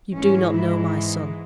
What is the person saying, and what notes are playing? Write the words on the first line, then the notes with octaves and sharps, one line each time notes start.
You do not know my son.
G#2 E3 G#3 C#4
E4